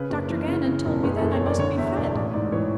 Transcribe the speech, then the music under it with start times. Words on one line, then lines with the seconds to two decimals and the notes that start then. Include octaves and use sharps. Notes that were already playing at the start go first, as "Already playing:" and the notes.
Dr. Gannon told me then I must be fed.
Already playing: C#3 B4
0.10 F#1
0.30 E3
0.48 C#3
0.67 C#3
0.85 E1
1.03 F#1 B4
1.12 G#4
1.17 A4
1.22 F#1
1.31 C#5
1.40 F#1
1.46 D5
1.59 D3 C#5
1.78 E2 E5
1.96 E1 D5
2.14 A1 D5
2.33 G#2 D5
2.52 E3 C#5